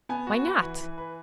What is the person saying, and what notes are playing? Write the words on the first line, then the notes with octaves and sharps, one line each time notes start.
"Why not?"
B3 G#5
F#4
B4
E3
E3
B4